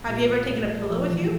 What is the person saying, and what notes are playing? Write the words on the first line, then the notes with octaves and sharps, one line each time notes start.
Have you ever taken a pillow with you?
A#2 A#3
G3
A3
F3
E3